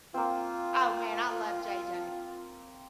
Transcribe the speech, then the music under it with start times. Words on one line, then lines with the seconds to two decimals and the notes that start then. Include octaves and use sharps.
Oh, man, I love JJ.
0.14 A#3 C4 F4